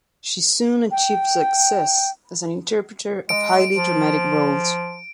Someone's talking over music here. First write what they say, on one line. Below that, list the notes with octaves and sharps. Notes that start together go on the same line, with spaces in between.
She soon achieved success as an interpreter of highly dramatic roles.
G5
G#3 D7
F3